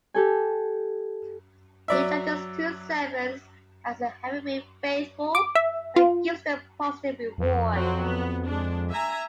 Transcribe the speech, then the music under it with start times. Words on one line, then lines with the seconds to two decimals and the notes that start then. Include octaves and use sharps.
He judges two servants as having been "faithful" and gives them a positive reward.
0.14 G4 A4 G#5
1.88 F#3 D5 E5
5.35 D6
5.55 E5
5.96 F4
7.38 F2
7.73 F#3 C4 F#4
8.05 B3
8.46 G#3 D4
8.90 E5 G#5 A#5